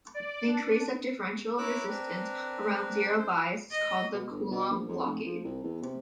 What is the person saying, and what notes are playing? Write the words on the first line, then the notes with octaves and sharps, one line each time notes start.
The increase of the differential resistance around zero bias is called the Coulomb blockade.
D5
D4
E4 A#4 C#5 D6 E6 F#6
C4 D4 A#4 B4
C5
D#5
B2
G1
B2
A#1
F2
F1
F3
C2
E2
C3